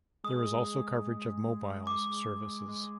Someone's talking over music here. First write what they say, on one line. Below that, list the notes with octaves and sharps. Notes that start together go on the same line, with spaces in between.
There is also coverage of mobiles services.
G#3 D#6
D6
G#3